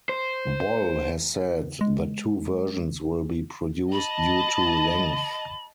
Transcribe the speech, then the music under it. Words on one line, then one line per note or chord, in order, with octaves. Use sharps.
Boll has said that two versions will be produced due to length.
C5
G#3
D#5 A5 B5